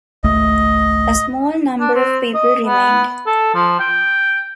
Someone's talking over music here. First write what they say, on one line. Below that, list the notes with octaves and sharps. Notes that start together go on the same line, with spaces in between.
A small number of people remained.
G#1 C#2 A3 D#5
D4
C4
D#5
B3
A4
F3
G5